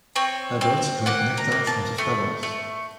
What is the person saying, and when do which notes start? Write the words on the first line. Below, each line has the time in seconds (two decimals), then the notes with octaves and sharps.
Adults drink nectar from the flowers.
0.16 C4 C#5
0.61 C4
1.06 A#3 F#5
1.37 A#5
1.52 A#3
1.67 A5
1.98 A3
2.43 A3